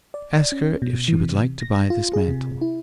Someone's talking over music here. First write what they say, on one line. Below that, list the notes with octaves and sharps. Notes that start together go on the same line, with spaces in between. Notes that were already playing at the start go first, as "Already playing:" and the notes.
'Ask her if she would like to buy this mantle.'
D5
C#4
B2
E3
C3
A#6
F4
G#4
C3
E4